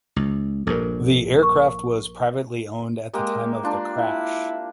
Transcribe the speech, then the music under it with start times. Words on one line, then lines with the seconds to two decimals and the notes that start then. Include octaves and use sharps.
The aircraft was privately owned at the time of the crash.
0.16 C#2
0.67 A#1 G2 A4 A#4
1.38 A#4 C#6
3.13 G#3 A#3 G4
3.63 D4 F4
3.97 E4